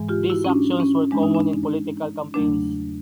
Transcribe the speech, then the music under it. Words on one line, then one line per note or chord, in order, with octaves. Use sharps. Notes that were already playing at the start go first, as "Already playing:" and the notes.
This actions were common in political campaigns.
Already playing: G#2 E3 G#3
F4 G4
E4 F#4
C#4
D4
C#4
G2 E3 G#3 D4
D#4
D4
E2 C#3 F#3 A3 D4